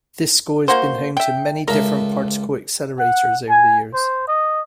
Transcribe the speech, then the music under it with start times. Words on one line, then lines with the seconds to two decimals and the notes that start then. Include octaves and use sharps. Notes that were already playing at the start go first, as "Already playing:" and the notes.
The school has been home to many different particle accelerators over the years.
0.68 A#3 F#4 C5
1.17 E5 G5
1.68 C#2 A4 A#4 E5
2.99 F#5
3.50 G#5
3.94 C5
4.27 D#5